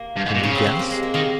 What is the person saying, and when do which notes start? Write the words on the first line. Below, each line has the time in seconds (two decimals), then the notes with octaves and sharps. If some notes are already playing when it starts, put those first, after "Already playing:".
Can you guess?
Already playing: A#3
0.16 G2
0.26 G#2
0.34 A#2
0.43 C#3 C#4
0.55 C4
0.67 C4
0.79 A#3
0.91 G#3
1.03 A#3
1.14 D#3 A#3